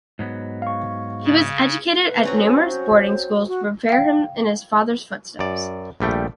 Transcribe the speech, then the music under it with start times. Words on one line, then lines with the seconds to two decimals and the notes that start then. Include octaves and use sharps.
He was educated at numerous boarding schools to prepare him in his father's footsteps.
0.19 G#2 F#3 B3
0.62 F5 C#6
1.24 C#3
2.05 B4
2.23 F#3 C4 C#4
2.68 C5
3.48 F#4
3.89 F5 G5
5.39 F#2 D5
6.00 A#1 G3 A3 G5